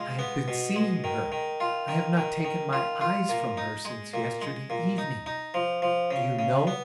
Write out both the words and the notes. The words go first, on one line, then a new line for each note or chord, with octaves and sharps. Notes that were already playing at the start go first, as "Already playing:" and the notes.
I have been seeing her; I have not taken my eyes from her since yesterday evening. Do you know?
Already playing: G#3 F4
B3
B2
G#3
D#3
D#3
F4
D#3
D#3
D#3
F4
F4
A#2
D#4
G#3
A#2
G#3
A#2
D#4
D#4
F3
F3
C#3
C#3
B3